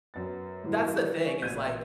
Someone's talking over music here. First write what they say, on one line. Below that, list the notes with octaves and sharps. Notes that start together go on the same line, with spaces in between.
That's the thing is, like,
F#2 B3 A6
G#2 E3 G3
G#5 C#6 B6
A1 A#2 G6 G#6 D#7